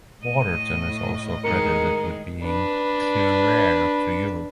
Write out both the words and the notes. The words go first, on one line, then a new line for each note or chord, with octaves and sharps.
Waterton is also credited with bringing curare to Europe.
A2 D#5 D#7
D#3 G#3 G#4 A#4 C#7
D4 B4